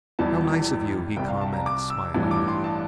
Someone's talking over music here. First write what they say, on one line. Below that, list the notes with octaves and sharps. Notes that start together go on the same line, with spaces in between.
"How nice of you!" he commented, smiling.
E1 E2 E3 G3 A5
C2 C3 G3 G5
F5
A5
A#5
D6
E6
A1 G2 E3
D6
C6
A5